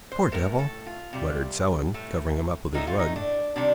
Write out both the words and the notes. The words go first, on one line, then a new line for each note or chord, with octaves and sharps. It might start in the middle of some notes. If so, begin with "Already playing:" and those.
"Poor devil!" muttered Sellen, covering him up with his rug.
C5
A2 A3 A#4
A4
F4
C3 G3
A2 A3
A2 A3 D#4
F4
D#4
D4
C3 D#3 G3 D4